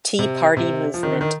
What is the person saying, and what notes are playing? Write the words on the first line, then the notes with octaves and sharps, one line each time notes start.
Tea Party movement.
C3
C3
F3
D#3
D3
D#3